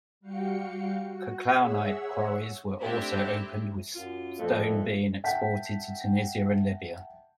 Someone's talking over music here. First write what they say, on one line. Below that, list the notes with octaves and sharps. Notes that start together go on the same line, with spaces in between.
Calcarenite quarries were also opened with stone being exported to Tunisia and Libya.
G3 F#4 F5 G5 C#7
F#4
G#4 C#5 E5 F#5 E6
A3 C4 D4 E4 G4 E5
F#2 F4
F2 A#2 A3
E5 F#5 G5 A5 G6 B6